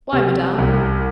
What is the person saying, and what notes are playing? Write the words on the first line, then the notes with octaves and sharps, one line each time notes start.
"Why, madame?"
C3
C2